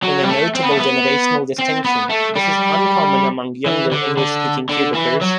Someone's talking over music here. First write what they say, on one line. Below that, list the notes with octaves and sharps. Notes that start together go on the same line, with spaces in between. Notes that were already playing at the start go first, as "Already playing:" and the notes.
In a notable generational distinction, this is uncommon among younger English-speaking Quebecers.
F#3
G3
A3
C4
B3
A3
B3
C4
B3
A3
G3
E3
D3
D3
D3
E3
F#3